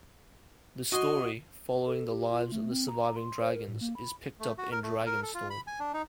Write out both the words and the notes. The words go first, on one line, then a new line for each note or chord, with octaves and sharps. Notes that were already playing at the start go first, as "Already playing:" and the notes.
The story, following the lives of the surviving dragons, is picked up in Dragonstorm.
F#4 D#5 G#5 C6
A4
G4
F4
A3
C4
A#5
C6
C5
A#4
A2
A#3
B5
A3
F#4
A#4
A3
A#4
A4
F4
B5
G#5
D4
D#4